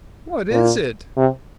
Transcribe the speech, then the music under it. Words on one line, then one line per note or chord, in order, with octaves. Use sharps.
"What is it?"
A#2
C3